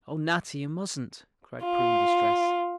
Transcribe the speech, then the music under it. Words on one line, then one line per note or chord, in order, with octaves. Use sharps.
"Oh, Natty, you mustn't," cried Prue in distress.
F4